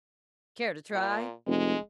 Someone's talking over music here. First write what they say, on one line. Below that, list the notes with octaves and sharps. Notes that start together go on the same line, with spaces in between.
"Care to try?"
A#2
F1 G#3